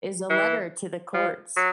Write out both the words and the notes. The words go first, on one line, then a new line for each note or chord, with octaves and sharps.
is a letter to the courts.
E3
F3
F#3